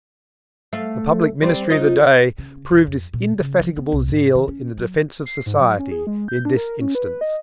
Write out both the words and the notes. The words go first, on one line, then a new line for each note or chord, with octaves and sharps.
The public ministry of the day proved its indefatigable zeal in the defence of society, in this instance.
A3 F5
G3 C4
D#4 F4 D#5
C#3
E1
F2
A#2
C#3
F3
B3
C2
G#2
D#3
C#4
F#3
C7
G#2
F#3
C#4
G#4
G#3
G6
D4
A#4
C#4
B4
D#5